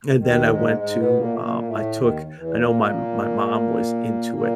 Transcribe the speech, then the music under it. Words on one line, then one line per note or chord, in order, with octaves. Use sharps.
and then I went to uh, I took I know my my mom was into it,
D#2 D#3
G#2 G#3
G#2 G#3
B2 B3
A#2 A#3
A3
A#2 A#3
A#3
A2 A3
D#2 D#3
E2 E3
A#2 A#3
A#2 A#3